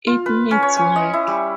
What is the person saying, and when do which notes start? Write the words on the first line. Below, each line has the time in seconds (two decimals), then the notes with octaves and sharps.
It needs work.
0.07 F4
0.26 B4
0.51 C#4
0.62 C#5
0.77 G#5
0.96 D#5
1.13 E4
1.27 G3